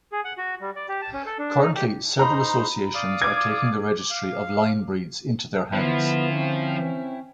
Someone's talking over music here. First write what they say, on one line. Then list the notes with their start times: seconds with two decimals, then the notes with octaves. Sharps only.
Currently several associations are taking the registry of the line breeds into their hands.
0.12 G#4
0.24 F#5
0.38 F#4
0.61 G3
0.76 D5
0.89 G4
1.01 A5
1.13 C#4
1.26 A4
1.39 D4
1.61 D#4
1.75 G4
2.19 D#4 C5 A#5 B5
2.95 D5 F5 D#6
3.22 D6 G#6
4.11 F5
5.73 D3 F3 B3 E4
6.32 C4 C#4 G5